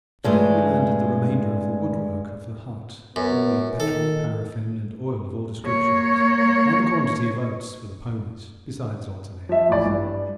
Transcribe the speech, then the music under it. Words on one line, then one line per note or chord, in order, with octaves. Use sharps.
To-day we landed the remainder of the woodwork of the hut, all the petrol, paraffin and oil of all descriptions, and a quantity of oats for the ponies besides odds and ends.
G2 G#3 A3
F#2 B3
D#3 A4
A#3 C#5
F3 E5
A1 D5
G2